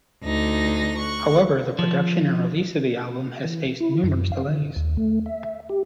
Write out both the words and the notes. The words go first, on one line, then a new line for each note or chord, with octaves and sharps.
However, the production and release of the album has faced numerous delays.
D2 D#4 A#6
C#6 F#6
F3
E3
E4
F#2
F5
D3
D#2
A3
E5
G4